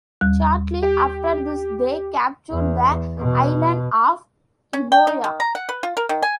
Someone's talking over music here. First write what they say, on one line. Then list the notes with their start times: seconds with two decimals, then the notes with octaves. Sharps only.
Shortly after this, they captured the island of Euboea.
0.21 D#2 G3 F#6
0.82 G4
2.52 E2
3.18 B2
4.73 C#4
4.92 G5
5.07 D#4
5.24 D#3
5.40 A#5
5.55 F#5
5.69 B4
5.83 F4
5.97 A#4
6.09 D#3
6.22 G#5